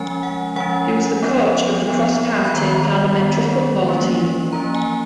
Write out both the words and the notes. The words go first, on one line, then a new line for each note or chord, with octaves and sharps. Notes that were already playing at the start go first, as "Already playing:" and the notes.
He was the coach of the cross-party parliamentary football team.
Already playing: F3 G#3 C#4 G#5
F#5
F3 G#3 C#4 F#5
F3 B3
F3 B3
B5
D#3 G#3 B3 A#5
D#3 G#3 B3
F3 A#3 C#4
F3 A#3 C#4 A#5
G#5